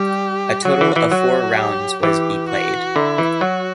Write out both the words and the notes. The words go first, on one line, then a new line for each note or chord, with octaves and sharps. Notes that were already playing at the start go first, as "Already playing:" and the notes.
A total of four rounds was be played.
Already playing: G3 G4
F#3 F#4
E3
E3
F#3 F#4
G4
E3 G4
F#4
D3 E4
E3
F#3 F#4